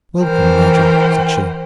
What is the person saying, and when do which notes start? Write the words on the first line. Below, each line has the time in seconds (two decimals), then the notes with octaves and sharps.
"Welcome, Nigel!" said she.
0.24 E3 A#4 C5 G5